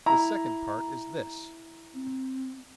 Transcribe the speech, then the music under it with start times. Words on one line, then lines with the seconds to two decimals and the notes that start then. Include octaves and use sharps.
The second part is this.
0.06 E4 A#5
1.94 C4